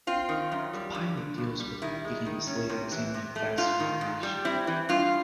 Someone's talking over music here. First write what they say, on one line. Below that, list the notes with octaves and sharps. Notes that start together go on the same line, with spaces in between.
The pilot deals with themes later examined in "Fast Food Nation".
C4 F4
D#3
F#2
G3
G2
D3
G2
G3
D#3 E4
G#3
D#3
C#4
C3
E3
C3
A3
G#2 F4
D#3
G#2
G3
C4 E4
E3
G2 F4